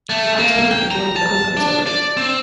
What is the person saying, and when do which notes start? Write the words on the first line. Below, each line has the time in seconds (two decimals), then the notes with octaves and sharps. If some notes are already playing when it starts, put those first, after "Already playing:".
She hides her grief and joins in the homecoming celebration.
0.10 A3
0.38 A#3
0.71 G5
0.91 A#5
1.16 A5
1.57 D4
1.86 D5
2.17 C4